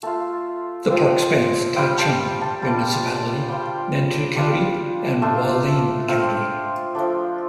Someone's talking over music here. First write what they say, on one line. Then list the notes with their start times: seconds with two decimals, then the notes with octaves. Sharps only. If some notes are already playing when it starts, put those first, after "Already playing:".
The park spans Taichung Municipality, Nantou County, and Hualien County.
0.03 A3 F4 A5
0.89 F3 C4 F4
1.76 G3 C4 F4 G5
1.98 A5
2.19 G5
2.41 A5
2.62 G3 D4 F4 A5
3.48 G3 F4 G5
4.35 G3 D4 F4
5.22 A3 D4 F4 A5
6.08 A3 C4 F4
6.95 F3 A3 D4 G5